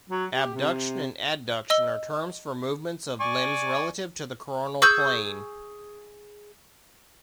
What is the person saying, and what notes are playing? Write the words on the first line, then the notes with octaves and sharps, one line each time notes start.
Abduction and adduction are terms for movements of limbs relative to the coronal plane.
F#3
G4
C3
D#5 E6 G7
D5 G#5 C#6
G#4 C#6 E6 G6